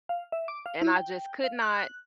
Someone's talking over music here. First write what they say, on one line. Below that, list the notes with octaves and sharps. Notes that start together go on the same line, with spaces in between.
And I just could not
F5
E5
D6
F5
E4
G5
F5
F#6